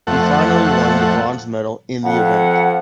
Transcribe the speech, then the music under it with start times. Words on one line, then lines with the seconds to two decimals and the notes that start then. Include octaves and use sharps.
He finally won the bronze medal in the event.
0.07 F2 A3 F#5
2.04 F2 F#5